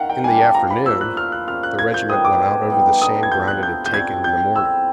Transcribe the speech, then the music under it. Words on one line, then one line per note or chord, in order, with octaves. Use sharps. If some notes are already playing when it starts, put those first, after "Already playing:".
In the afternoon, the regiment went out over the same ground it had taken in the morning.
Already playing: D#3 F5 F#5
G5
G3 A#3 D4 G#5
A5
F3 A#5
B5
A#3 C#4 F4 E6
F#6
F3 F6
F#6
A#3 C#4 F4 F6
F#6
D3 G#6
G6
G3 B3 D#4 D#6
D6
D3
G3 B3 D#4
D3 D#6
G#6
F3 A3 C4 G6
F#6
D3 G6
G6
F3 A3 C4 G#6
G3 G6
C4 E4 E6